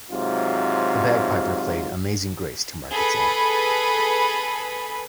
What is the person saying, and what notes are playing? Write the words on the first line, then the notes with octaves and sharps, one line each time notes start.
A bagpiper played "Amazing Grace" to mark its end.
G#2 C3 F#3 F4
G#4 A4 B4 B5